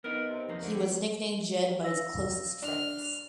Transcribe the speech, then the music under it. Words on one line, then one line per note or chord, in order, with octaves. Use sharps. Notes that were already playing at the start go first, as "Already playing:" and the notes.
He was nicknamed "Jed" by his closest friends.
B3 D#4 A#4
C3
F2 D#3 A#3
D3
F5 E6 A#6
D4 F6